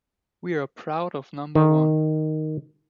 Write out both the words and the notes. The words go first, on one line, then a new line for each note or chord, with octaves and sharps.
We're proud of number one.
D#3